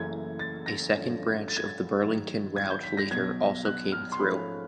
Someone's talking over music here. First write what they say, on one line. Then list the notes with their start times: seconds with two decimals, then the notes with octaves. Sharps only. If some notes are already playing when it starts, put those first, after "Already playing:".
A second branch of the Burlington Route later also came through.
Already playing: F#1 F#2 C#3 E3 A3 G#6
0.39 A6
0.66 A#6
0.94 G2 D3 F3 A3 C#4
1.48 A6
1.57 G#6
1.65 A6
2.02 G#2 D#3 F#3
2.56 G#6
2.70 G6
2.83 B6
2.97 A#6
3.11 B1 B2 F#3 G#6
3.65 F#6
3.92 F6
4.12 C6
4.19 G#2 F3 A3 C#4 B5